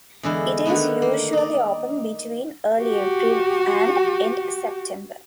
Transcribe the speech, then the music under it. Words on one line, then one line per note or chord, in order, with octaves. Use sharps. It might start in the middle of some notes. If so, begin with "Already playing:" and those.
It is usually open between early April and end September.
E2 D3 G#3 E4
D3 D#3 A3 B3
A#3
D#4 D5
F#4 G4